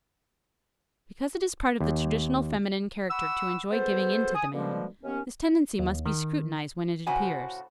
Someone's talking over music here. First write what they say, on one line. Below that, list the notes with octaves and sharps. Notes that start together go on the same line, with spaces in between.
Because it is part of the traditional feminine character to enjoy giving in to the man, this tendency must be scrutinized when it appears.
D#2
F#5 B5 C#6 E6
B3 F#4 G#4 A4 C5
G#5 D#6
B2 D3 F3 G3 G#3 A#3
D#2 B3 C#4
D#2
D#3
A2 C#3 F#4 C5 G#5